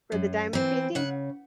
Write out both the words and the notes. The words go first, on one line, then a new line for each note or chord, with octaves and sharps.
for the diamond painting?
F#2
E3 C4
C#3 F#5